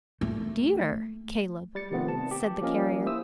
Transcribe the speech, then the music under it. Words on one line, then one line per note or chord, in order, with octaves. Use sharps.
"Dear, Caleb," said the Carrier.
A3
G3 A6 C#7
C3 D#3 F3 A3 B3 C4
A5
G4
F3 A#3 C#4 A#4 D#5
E4 G4 C5 E5 D#6 E6